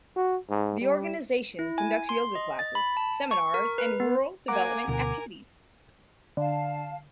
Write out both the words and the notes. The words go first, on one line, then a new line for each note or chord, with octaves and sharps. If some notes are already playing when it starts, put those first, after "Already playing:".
The organisation conducts Yoga classes, seminars, and rural development activities.
F#4
G#2
G3
E4
G#5
C6
D#5
A6
B5
A5
C#6
A#4
B4
B3
A#3 F#5 G#5 A#5 D6
D2 B2 A#4 G#5
D3 F5 A5